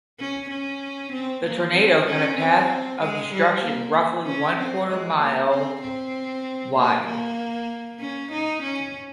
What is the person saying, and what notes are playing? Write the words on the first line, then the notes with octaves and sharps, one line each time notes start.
The tornado cut a path of destruction roughly one quarter mile wide.
C#4
C#4
C4
A#3
C4
C#4
C4
G#3
G3
A#3
C#4
C4
G#3
A#3
C4
C4
A#3
A#3
C#4
D#4
C#4